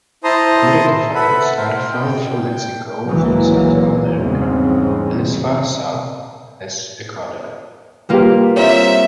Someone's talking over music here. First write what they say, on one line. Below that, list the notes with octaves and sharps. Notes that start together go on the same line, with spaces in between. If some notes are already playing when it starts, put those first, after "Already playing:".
Corytophanids are found from Mexico, through Central America, and as far south as Ecuador.
E4 C5 A5 A#5 C6 D#6
A4 B4 E5 F#5 B5
A#4 C5
G5
G#1 C#2 E3 F#3 G#3 A#3
G1 E2 G#2 C#3 C4
G3 A#3 F4 G4 B4
C4 F4 C#5 E5 A#5